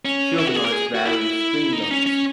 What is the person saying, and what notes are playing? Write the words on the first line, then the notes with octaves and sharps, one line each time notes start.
She organized various theme nights.
C#4
E4
F#4
G#4
A#4
G#4
F#4
E4
D#4
C#4
C#4